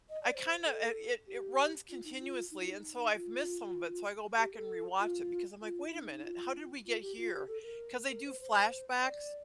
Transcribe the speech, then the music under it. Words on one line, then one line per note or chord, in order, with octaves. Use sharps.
I kinda a it it runs continuously and so I've missed some of it, so I go back and rewatch it because I'm like, "Wait a minute. How did we get here?" 'Cause they do flashbacks
D#5
D5
C5
A4
G4
F4
D#4
F4
D#4
F4
D#4
F4
G4
A4
F4
F4
D#4
D#4
F4
F4
G4
F4
G4
A4
A#4
A#4
C5
C5
D5